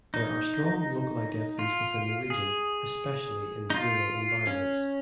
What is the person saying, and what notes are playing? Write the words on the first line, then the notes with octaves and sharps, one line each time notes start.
There are strong local identities within the region, especially in rural environments.
D#4
F4
G#4
D#4
F4
C#4